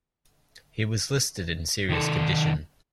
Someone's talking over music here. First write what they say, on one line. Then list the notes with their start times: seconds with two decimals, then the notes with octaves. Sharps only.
He was listed in serious condition.
1.89 D#3 A4